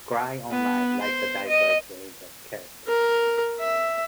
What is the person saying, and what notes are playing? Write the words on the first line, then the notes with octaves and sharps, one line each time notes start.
Gry Online liked the diverse range of characters.
B3
C5
D#5
A#4
E5